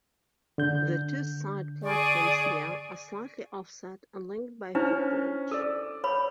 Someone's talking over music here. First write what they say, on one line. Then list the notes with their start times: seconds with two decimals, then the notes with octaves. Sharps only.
The two side platforms here are slightly offset and linked by a footbridge.
0.58 D3 G6
1.83 G#4 D5 C#6
4.75 C#4 D4 E4 C5 F6
5.51 A4 D5 E6
6.04 C#5 B5